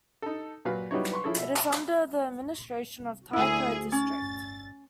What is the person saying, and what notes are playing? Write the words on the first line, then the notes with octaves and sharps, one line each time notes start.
It is under the administration of Tai Po District.
D#4 A4
A#2 F#3 B4 F5
F#3 G3 B3 D#4 E4 C#5
B4 C6 C#6
F3 E4 G#4 A4 C#5
B2 E5
D2 E4 G#4
C#4 A6